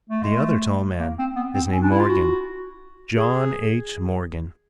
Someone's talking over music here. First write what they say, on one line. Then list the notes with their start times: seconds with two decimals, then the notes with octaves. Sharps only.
The other tall man is named Morgan, John H. Morgan.
0.10 A3
0.23 G#3
0.36 A3
1.00 A#3
1.19 C4
1.36 B3
1.54 C4
1.72 C#4
1.81 D4
1.91 E4
1.99 F4
2.08 F#4
3.17 G#4